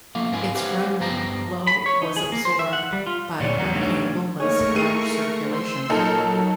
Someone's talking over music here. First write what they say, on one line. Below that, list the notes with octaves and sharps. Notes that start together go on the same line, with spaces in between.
Its remnant low was absorbed by Hurricane Wilma's large circulation.
F3 A3 A#3 F5
G#2 C4 A#4 F5 G#5
G4 B4 C5 F5 F#5 G#5
G2 B3 C5 G5 A5 A#5
B5
C#5
D#4
G#4
A#3
C5
E5
F#5
G3
F4
D2 A#2 G#4 C#5 D5
E2 F#5 A#5
G3 A3 D4 D#4 G4 C#5
A3 A#3 D#4 G#4 A#4 C#5 C#6
G#3 E4 D#7
C5 C6 E6
A#2 F#3 D#4 A4 A#4 G#5